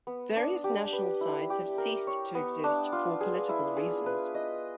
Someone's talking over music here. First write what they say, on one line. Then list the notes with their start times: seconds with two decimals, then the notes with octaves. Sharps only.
Various national sides have ceased to exist for political reasons.
0.07 B3
0.36 D4
0.64 G4
0.93 B4
1.21 E4
1.50 G4
1.78 A#4
2.07 C#5
2.35 B3
2.64 D4
2.93 F4
3.21 G#4
3.49 E4
3.77 G#4
4.06 B4
4.35 D#5